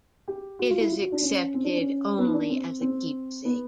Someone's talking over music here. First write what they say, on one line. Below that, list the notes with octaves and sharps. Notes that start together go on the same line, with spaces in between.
It is accepted only as a keepsake.
G4
F#4
F4
E4
F4
F#4
D4
C#4
C4
D4
C#4
B3
D#4
D4
C4
C4
B3